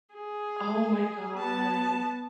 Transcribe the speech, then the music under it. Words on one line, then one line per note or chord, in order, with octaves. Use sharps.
Oh my god.
G#4
B3 A5